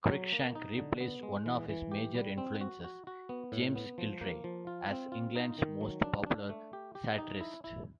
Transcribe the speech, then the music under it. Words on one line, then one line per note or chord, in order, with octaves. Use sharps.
Cruikshank replaced one of his major influences, James Gillray, as England's most popular satirist.
F#3
A#3
D#4
D3
B3
G#3
E3
E3
G4
G3
C4
F#4
F#4
F#4
B3
A2
B3
F3
A#3
F3
F4
C4
F4
D#4
D#3
F#3
D4
D4
A3
G4
G4
D#4
E4
E4